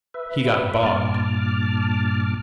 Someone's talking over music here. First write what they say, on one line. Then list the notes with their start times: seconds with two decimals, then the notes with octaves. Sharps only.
"He got bogged."
0.14 B4 E5
0.83 G2 A#2 A5 D6 F6